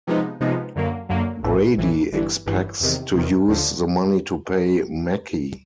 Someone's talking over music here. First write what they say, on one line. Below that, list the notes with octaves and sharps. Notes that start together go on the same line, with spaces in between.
Brady expects to use the money to pay Mackey.
C3 F3 G#3 B3 D#4
C3 F3 G#3 B3 D#4
F#2 D3 F#3 A#3
F#2 D3 F#3 A#3
A#1 A2 E3
A#1 A2 E3
G1 G2 E3
G1 G2 E3
E2 C3 D#3
E2 C3 D#3
D#2 D3 F3